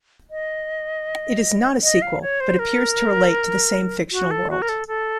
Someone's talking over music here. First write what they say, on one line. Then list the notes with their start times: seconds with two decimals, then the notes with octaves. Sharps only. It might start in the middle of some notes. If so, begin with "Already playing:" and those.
It is not a sequel but appears to relate to the same fictional world.
0.30 D#5
1.83 D#5
2.02 F5
2.21 C#5
2.40 C5
2.59 A#4
4.12 F#4
4.31 A4
4.50 F#4
4.62 A#4
4.69 A4
4.88 A4